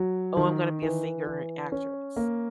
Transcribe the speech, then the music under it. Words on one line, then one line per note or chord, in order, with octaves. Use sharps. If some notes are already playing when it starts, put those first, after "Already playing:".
"Oh, I'm gonna be a singer and an actress,"
Already playing: F#3
D#3
E3
E3
C#4
A#3